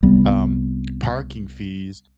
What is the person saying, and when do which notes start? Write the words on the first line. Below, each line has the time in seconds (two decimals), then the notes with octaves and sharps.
um, parking fees,
0.03 C2 G3 B3